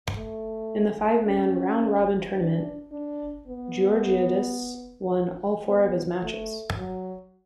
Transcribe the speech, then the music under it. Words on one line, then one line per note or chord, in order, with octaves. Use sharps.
In the five-man, round-robin tournament, Georgiadis won all four of his matches.
A3
C#4
D4
D4
B3
B3
A3
F#3